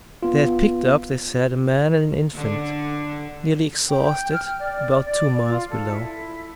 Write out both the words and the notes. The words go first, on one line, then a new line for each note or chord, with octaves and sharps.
They had picked up, they said, a man and an infant, nearly exhausted, about two miles below.
G1 B3 F4
D3
G5
F6
D5
D5
F4
A4
E4